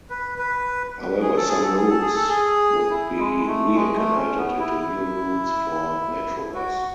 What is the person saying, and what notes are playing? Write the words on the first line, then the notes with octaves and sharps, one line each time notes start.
However some routes would be reincarnated into new routes for Metrobus.
B4
B4
G#4
A4
G#4
A4
G#4
A4
G#4
A4
G#4
E4
G#3
A3
G#3
A3
C#4
B3
E4
F#4